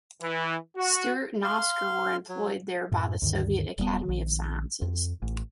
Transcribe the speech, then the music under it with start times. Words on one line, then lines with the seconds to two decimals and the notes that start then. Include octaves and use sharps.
Stuart and Oscar were employed there by the Soviet Academy of Sciences.
0.22 E3
0.76 F#4
1.44 F5 C6
2.29 F#3
2.92 F#2 A2
3.22 D2 G2 D#3
3.78 D#1 G3 G#3 B3
4.05 A#1 D#3
4.82 F2
5.22 A1